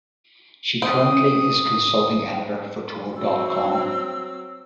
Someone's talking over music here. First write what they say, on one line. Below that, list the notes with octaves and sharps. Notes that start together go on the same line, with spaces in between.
She currently is consulting editor for Tor dot com.
C4 D#6
F#3 C4 E6